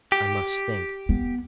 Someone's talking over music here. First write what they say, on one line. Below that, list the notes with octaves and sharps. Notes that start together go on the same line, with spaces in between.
I must think.
G4
B3